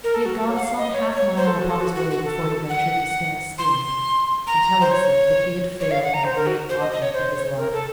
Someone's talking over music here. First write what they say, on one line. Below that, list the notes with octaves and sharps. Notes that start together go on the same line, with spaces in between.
He had gone some half mile upon his way before he ventured to stand still and tell himself that he had failed in the great object of his life.
A#4
A4
F#4
A4
C#5
F#5
F5
D#5
C#5
C#5
C5
A4
F#4
A4
F#4
F#4
F#4
A4
F#5
C6
A#5
C5
C#5
C#5
F5
F#5
A#5
C5
A#4
F#4
C5
D#5
D#5
C#5
C5
C#5
A#4
A4